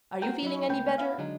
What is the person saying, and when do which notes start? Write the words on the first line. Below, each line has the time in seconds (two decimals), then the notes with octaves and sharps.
Are you feeling any better?'
0.22 A#3 C4 F#4 A#4 G5
0.43 F#3 D#4 E4
0.69 C#2 A3 C4 B4 G5
0.98 B3 E4 F5
1.18 D3 F#3 G#3 D4 D#4